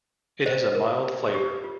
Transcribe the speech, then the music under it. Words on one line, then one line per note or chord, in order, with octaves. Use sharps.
It has a mild flavour.
C5 D#5
A#4
G4
F4